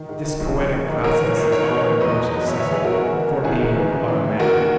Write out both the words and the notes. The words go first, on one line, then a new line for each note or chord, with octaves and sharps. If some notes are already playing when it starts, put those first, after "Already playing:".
This poetic process is all the more successful for being automatic.
Already playing: D#3
G#2
D#3
A#1
A#1
G#2
D#3
G#2 A#4 C#5
E3
G#1
G#1 A#4 C#5
G#2
E3
E2 B4 D#5
B2
F#1
F#1 C#5 E5
E2 C#5 E5
G#4 B4
B2 F#4 A#4
G#2
E3
G#1
G#1 E4 G#4
G#2
E3
C#3
E3
D#2
D#2 F#4 A#4
C#3